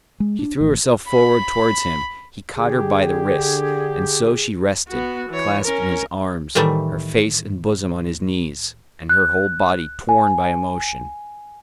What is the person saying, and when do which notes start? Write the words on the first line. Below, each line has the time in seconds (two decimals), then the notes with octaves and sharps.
She threw herself forward towards him, he caught her by the wrists, and so she rested, clasped in his arms, her face and bosom on his knees, and her whole body torn by emotion.
0.20 G#3
0.39 D4
0.61 A1
1.10 B5
2.56 D3 G4 G#4
4.88 B3 F#4
5.30 E3 C#5
5.64 C#4 A#4
6.55 A2 D#3 E3 G3 A3
9.09 F#6
10.09 G#5